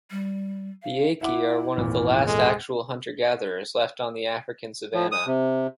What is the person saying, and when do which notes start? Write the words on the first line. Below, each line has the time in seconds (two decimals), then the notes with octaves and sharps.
The Akie are one of the last actual hunter-gatherers left on the African savanna.
0.11 G3
0.83 F5
1.21 E4 E5 F#5 D6
1.77 G#1 E2 A#2
2.27 G#3 A4
4.94 F3
5.12 D#6
5.27 C3